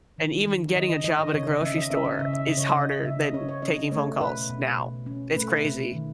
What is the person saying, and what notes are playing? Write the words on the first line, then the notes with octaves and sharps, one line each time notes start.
And even getting a job at a grocery store is harder than taking phone calls now. It's crazy.
D#3
D#3
D#3 D#5
D#5
D#3 D#5
D#5
C#3 C#5
D#5
C#4 E5
D#5
C#4 E5
D#5
C#3 E5
E5
C#3 D#5
C#5
D#5
C#3
C#3 E5
D#5
C#4 C#5
C#5
C#4 D#5
A3 C#5
B2 B4
B2
B2
C#4
A3 B4
B2
D#3